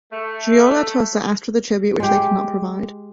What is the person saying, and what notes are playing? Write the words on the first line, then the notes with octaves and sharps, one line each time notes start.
Giolla Tosa asked for tribute which they could not provide.
A3
G#3 G4